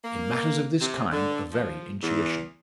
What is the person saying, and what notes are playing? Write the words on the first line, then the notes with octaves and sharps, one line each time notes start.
In matters of this kind a very intuition.
A#3
C3
D3
F3
E2